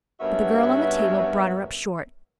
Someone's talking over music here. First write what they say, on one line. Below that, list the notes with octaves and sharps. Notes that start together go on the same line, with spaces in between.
But the girl on the table brought her up short.
G2 B3 C#4 F#4 A#4 E5